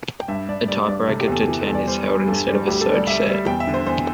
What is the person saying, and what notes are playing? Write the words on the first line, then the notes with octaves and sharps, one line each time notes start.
A tiebreaker to ten is held instead of a third set.
G5
G2 E5
G2 D5
G3 D5
G2 D5
C3 A4
G4
E2 A4
E3 G4
A4
E2
D5
G3 C5
G3
G2 A4
G3
D2 G4
A4
G3
D5
G3 E5
G3
E2 G5
E5
D3
C5
E2 C5